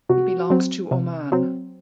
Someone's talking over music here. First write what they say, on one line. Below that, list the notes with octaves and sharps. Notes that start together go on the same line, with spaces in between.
It belongs to Oman.
C3 F#4
F#3 C4
C3
F#3 C4